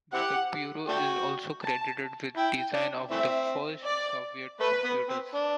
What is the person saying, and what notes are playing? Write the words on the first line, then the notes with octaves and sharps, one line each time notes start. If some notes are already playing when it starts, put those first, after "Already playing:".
The bureau is also credited with design of the first Soviet computers.
C4 E4 G4 F#5
A3 D4 F#4 G5
A5
E4 G5
D4
E3 A3 C4 E5
D5
A3 B4
B3
C4
D4